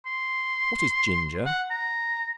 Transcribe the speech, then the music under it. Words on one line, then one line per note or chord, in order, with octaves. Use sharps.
What is Ginger?
C6
F#5
A#5